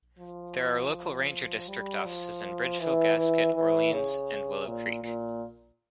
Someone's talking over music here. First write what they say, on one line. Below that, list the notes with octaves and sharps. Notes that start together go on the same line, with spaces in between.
There are local ranger district offices in Bridgeville, Gasquet, Orleans, and Willow Creek.
F3
G3
F3
E3
E3
E3
C#3
A#2
A#2